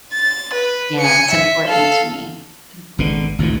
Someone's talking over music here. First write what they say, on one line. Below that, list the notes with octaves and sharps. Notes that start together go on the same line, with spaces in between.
Yeah, it's important to me, it's important.
A6
B4
G#5 C#7
E5
A4 F5
G#1 B2 D3
G#1 D2 A#2 E3